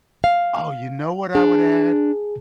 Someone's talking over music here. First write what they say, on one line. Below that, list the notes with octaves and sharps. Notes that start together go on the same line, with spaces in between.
Oh, you know what I would add?
F5
D4 G#4